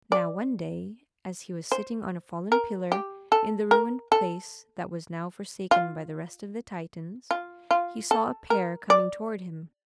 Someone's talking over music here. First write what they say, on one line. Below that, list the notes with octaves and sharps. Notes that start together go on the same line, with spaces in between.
Now one day, as he was sitting on a fallen pillar in the ruined place that was now forsaken by the rest of the Titans, he saw a pair coming toward him.
D5
C5
A#4
G4
A4
A#4
A4
F4
F4
F4
A4
A#4
D5